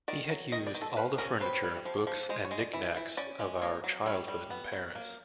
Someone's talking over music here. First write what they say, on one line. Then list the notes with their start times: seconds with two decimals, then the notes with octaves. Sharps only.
He had used all the furniture, books and knick-knacks of our childhood in Paris.
0.08 D#3 D5
0.30 F#3
0.52 D#3 D#5
0.67 D5
0.75 D#3
0.82 A4
0.97 F3 B4
1.18 C#4 A#4
1.40 C4 B4
1.64 G3
1.85 F3
2.07 F3
2.29 G#3 C5
2.45 C#5
2.51 G#3
2.59 D5
2.73 E3
2.96 E3
3.17 C#4 D5
3.39 G#3
3.62 A#3 C#5
3.84 F#3
4.06 G3 C#5
4.28 G3
4.50 B3
4.72 F#3
4.95 A#3